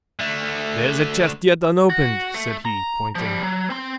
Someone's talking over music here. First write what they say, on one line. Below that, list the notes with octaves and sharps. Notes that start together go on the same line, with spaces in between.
"There is a chest yet unopened," said he, pointing.
D3 A3
F#4
A3
A#5
F3 G3
F#3
C4 C6